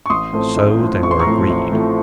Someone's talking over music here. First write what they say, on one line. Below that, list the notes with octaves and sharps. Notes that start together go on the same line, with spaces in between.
So they were agreed.
C#6
A1 C6 D#6
A2 F3 A3 C4
A1
A2 F3 A3 C4
A1 C#6
C6
A#5 C#6
A2 F3 A3 C4
A1
A2 F3 A3 C4